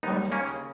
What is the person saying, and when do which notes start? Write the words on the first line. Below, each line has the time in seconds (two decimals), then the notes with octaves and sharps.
One of
0.03 D#2 B3 D#4
0.32 A#3 C#4
0.45 C#3